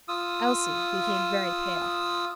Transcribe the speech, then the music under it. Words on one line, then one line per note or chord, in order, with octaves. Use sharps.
Elsie became very pale.
F4 D#6 E6